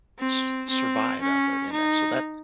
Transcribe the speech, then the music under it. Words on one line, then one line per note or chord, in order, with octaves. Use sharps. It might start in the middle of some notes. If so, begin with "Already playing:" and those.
s survive out there in that?" So that,
C4
C4
C#4
D#4